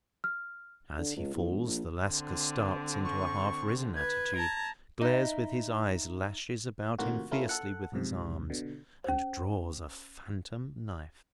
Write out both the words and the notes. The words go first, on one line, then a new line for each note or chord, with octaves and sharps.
As he falls, the Lascar starts into a half-risen attitude, glares with his eyes, lashes about him fiercely with his arms, and draws a phantom knife.
F6
D3
C#2
E2
E1
A#1
D3 C4
C#6
B4 G#6
A5 A#5
D#4 E4
A2 C3 D#3 A#3 F4 F#4
A3 C#4 E4 F4 A#4
A4 F#5
B1 F2 G#2 C3
B2 D3
C#4 C5